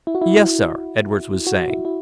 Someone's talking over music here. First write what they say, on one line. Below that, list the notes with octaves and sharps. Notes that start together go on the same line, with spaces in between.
"Yes, sir," Edwards was saying.
E4
F#4
E4
F#4
E4
E4